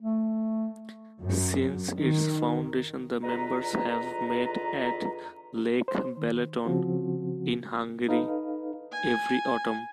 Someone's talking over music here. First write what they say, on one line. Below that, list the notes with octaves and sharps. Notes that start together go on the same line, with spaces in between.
Since its foundation, the members have met at Lake Balaton, in Hungary, every autumn.
A3
F#2
D#3
E2 D3 F4 B4 D#5 A#5
C5
D#3
C#3 F3 C4 F#4
D#4 A4 B4 F5
G#5